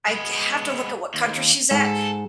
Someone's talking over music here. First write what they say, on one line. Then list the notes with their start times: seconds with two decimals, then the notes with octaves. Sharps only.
I c have to look at what country she's at.
0.08 G#3 B3
1.14 D#2
1.71 G#2 A4